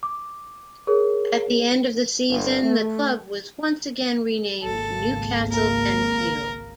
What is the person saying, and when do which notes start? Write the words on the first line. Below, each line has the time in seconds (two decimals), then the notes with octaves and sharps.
At the end of the season the club was once again renamed Newcastle Benfield.
0.03 D6
0.87 G#4 A#4 C#5
2.29 G1
2.63 A3
4.63 G#1 C#2 A#3 A4
5.53 A#4